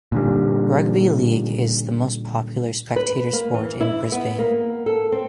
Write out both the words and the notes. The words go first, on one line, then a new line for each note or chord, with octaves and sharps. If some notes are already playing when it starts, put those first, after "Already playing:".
Rugby league is the most popular spectator sport in Brisbane.
A#2 D3 G3
B4
A#3
E3
E4
B3
A#3
A4
C4